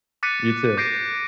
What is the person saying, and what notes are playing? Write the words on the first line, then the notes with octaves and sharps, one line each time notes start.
You, too.
D6 F#6 A6 B6 C#7 D#7
D6 G6 A#6 C7 D7